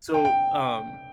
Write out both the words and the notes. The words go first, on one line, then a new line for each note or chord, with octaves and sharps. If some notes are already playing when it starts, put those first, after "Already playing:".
so, um,
G5
G5